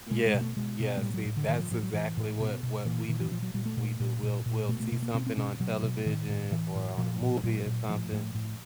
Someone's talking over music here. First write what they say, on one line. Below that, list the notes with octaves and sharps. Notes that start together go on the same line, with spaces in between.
Yeah, yeah, see, that's exactly what what we do We do. We'll we'll see something on television or on a movie or something,
B2 G#3
G#3
B2
A3
B2 G#3
B2
G#3
A2 G3
F#3
A2
D3
A2 D#3
E3
F3
A2 F3
F#3
A2 E3
A2
B2
B2
A#2 E3
A#2 D#3
E3
A#2 F3
F#3
A#2 G3
A3
A#2
A#2
A#2
A#2
B2 A3
A3
B2
A#3
B2 C4
C4
B2 C#4
B2 F#3
B2
A2 D#3
A2
A2 E3
A2
A#2 F3
A#2
A#2 F#3
A#2
A2 F3
A2
A2